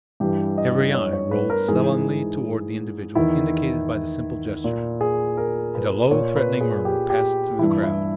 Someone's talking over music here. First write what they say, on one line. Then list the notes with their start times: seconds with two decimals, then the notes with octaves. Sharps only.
Every eye rolled sullenly toward the individual indicated by the simple gesture, and a low, threatening murmur passed through the crowd.
0.20 G2 E3 G4
0.58 D#5
0.95 C#5
1.13 C#5
1.31 B4
1.50 A#4
1.68 G#2 E3 G#4
3.15 E2 D#3 E4
4.64 A#2
5.01 G#4
5.37 A#4
5.75 B4
6.11 A#2 C#5
6.36 B4
6.61 G#4
6.85 G4
7.10 G4
7.59 G2 E3 E4
7.83 E4